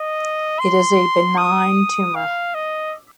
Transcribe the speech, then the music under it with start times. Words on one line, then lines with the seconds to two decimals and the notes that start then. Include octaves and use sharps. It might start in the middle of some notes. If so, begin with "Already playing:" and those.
It is a benign tumor.
Already playing: D#5
0.59 C6
1.37 D#6
2.15 F5
2.55 D#5